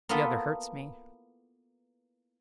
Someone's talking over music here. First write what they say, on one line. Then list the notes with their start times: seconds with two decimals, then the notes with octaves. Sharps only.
"The other hurts me."
0.09 A#3 B3 E4 F4 A4 B4